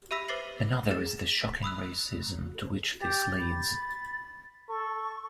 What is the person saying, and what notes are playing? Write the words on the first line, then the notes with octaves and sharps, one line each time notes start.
Another is the shocking racism to which this leads.
G4 E5 B5 E6 A#6 B6
B4 C5 D6 A6 C7 F#7
G#4 A6
B6
B5 D#6 E6 F#6
G4 A6
B5
A4 C#6